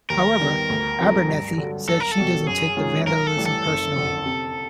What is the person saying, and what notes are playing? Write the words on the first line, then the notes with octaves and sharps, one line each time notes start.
However, Abernethy said she doesn't take the vandalism personally.
D#2 A#4
D#3 G3 B3
D2
C3 F3 A3
G2
D3 F#3
B1 A4
A#4
A4
B2 G3
F#2 G#4
D#3 G#3 C#4 F4
B1 A#4
A4
A2 E3 G3
A4
F#1
F2 D3
C3